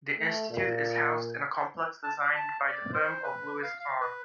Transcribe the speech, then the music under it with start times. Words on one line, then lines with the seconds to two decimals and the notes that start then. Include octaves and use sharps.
The institute is housed in a complex designed by the firm of Louis Kahn.
0.17 A3
0.50 A#2
2.03 A5
2.20 D6
2.35 A5
2.68 D5
2.93 C5
3.23 B4
3.63 F5
3.80 F5
4.01 B4